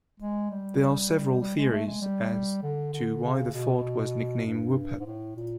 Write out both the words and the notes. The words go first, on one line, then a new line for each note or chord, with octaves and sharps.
There are several theories as to why the fort was nicknamed Whoop-Up.
G#3
G3
G3
G#3
A3
G#3
G3
D3
D3
C#3
B2
G2
G#2
A2
A#2